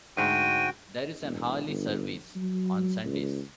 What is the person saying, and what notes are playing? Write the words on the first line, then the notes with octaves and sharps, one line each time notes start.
There is an hourly service on Sundays.
D2 G#2 F#4 G5 D#7
E1
G1
F#3
C#2